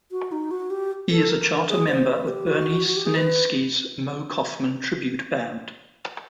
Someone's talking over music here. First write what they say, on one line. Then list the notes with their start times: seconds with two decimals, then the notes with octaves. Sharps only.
He is a charter member of Bernie Senensky's Moe Koffman Tribute Band.
0.12 F#4
0.32 D#4
0.51 F#4
0.70 G4
1.10 A4
1.29 A#4
1.69 G#4
1.88 C5
2.08 B4
2.27 G4
2.47 F#4
2.87 F#4
2.96 G4
3.05 G#4
3.16 B4